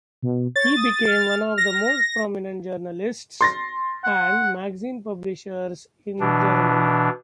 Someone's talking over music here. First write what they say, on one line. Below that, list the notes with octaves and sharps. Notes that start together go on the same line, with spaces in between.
He became one of the most prominent journalists and magazine publishers in Germany.
B2
C#5 A6
D#6
F6
A#6
C6 A6 A#6
F#5
B2 E3 D4